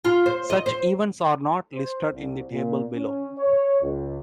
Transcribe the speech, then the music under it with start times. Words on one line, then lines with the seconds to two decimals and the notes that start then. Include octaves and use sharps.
Such events are not listed in the table below.
0.05 F4
0.26 C5
0.50 D#5
0.66 C5
1.75 C5
2.12 C2
2.50 A#2
2.93 C#4
3.38 C#5
3.80 C#2